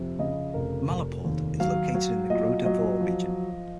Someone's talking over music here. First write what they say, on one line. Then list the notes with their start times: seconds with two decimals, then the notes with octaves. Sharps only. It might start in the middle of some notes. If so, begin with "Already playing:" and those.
Malapalud is located in the Gros-de-Vaud region.
Already playing: F2 C3
0.19 C#3 D#5
0.54 F1 A#4
0.89 F1
1.25 D#2
1.60 F#3 F5
1.95 F#3
2.30 A#2 D#5
2.65 F#3 D#5
3.01 F3